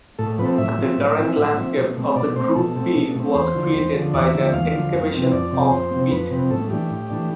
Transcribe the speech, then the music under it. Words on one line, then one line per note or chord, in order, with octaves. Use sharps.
The current landscape of the Groote Peel was created by the excavation of peat.
A2 A4
F3 C4 A4 B4
A2 E5
F3 C4
A2
F3 C4
A2
F3 C4
B2
A3 C4
B2 D5
A3 C4 C5
B2 A4
A3 C4
B2
A3 C4
E2 C5
D3 F3
E2
D3 F3
E2 D5
D3 F3 E5
E2 F5
D3 F3
F2
C3 F3 C4
F2 D5
C3 F3 C4
F2 C5
C3 F3 C4
F2 B4
C3 F3 C4
A2 A4
E3 A3 D4 G4
A2
E3 A3 D4